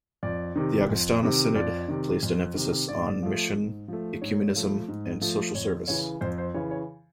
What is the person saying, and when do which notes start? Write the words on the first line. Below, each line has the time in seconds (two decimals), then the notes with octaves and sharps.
The Augustana Synod placed an emphasis on mission, ecumenism, and social service.
0.23 F2 D5
0.56 C3 D#3
0.89 F2
1.23 C3 D#3
1.55 F2 D5
1.88 C3 D#3
2.23 F2
2.55 C3 D#3
2.88 G#2 D5
3.23 F3 A3
3.55 G#2
3.88 F3 A3
4.22 G#2 C#5
4.56 F3 A3
4.88 G#2
5.21 F3 A3
5.55 F2 C#5
5.88 C#3 E3 C#5
6.21 F2 C5
6.38 C5
6.54 C#3 E3 C#5
6.71 C#5